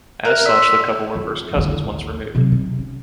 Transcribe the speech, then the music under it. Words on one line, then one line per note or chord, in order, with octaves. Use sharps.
As such, the couple were first cousins once removed.
A#4 E5 F#6
D5 E5 C6
F2
E2 D3
A1 D#2
C3 F#3
D#4
C#4